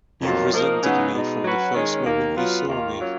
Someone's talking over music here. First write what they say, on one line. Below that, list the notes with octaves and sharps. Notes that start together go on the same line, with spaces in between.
You've resented me from the first moment you saw me!
F2 D#3 F#3 A#3 F4
F3 A#3 D#4 A#4
C#3 F#3 B3 D#4 F#4
B2 G#3 D#4
F#3 C#4 F#4 B4
D#3 G#3 C#4
D#2 D#3 A#3
F#3 B3 F4
D#2 D#3 A#3 F4
F#3 A#3 C#4 F4